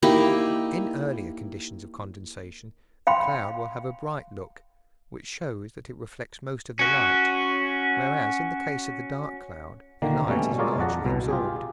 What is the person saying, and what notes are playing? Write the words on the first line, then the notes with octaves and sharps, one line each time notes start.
In earlier conditions of condensation the cloud will have a bright look, which shows that it reflects most of the light, whereas in the case of the dark cloud the light is largely absorbed.
A#3 D#4 E4 G4
F5 G5 B5 C6
C#4 F#4
D3 D#3 A#3
B2 G3 A3 C#4
G#3 F4 G#4 A#4 C#5 D5
F2 D#5 F#5 A5 A#5
C2 B2
F4 G4 G#4